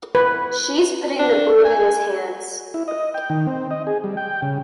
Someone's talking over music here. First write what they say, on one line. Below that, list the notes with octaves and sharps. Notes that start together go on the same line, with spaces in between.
She is putting the broom in his hands.
B4
D4
G#5
E4
D#5
G5
D#3
C4
D#5
G#4
G3
G5
C#3